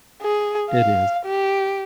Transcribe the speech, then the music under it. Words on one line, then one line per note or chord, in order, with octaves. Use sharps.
It is.
G#4
F5
G4